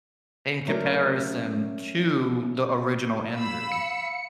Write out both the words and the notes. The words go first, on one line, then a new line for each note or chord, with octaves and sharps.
in comparison to the original injury?
F#3 A3 C#4 F#4 A#4 D5
F5 B5 E6
C#7